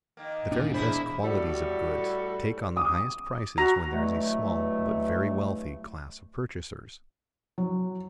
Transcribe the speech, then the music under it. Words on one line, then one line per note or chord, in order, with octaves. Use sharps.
The very best qualities of goods take on the highest prices when there is a small, but very wealthy, class of purchasers.
D#3 A#3
E1 A#2 D4
A#3 E4 G#4 C5 E5 B5
A2 G3 F#4 A4
D6 D#6
F#4 A#5
G2 B2 E3 F#3 A3
F#3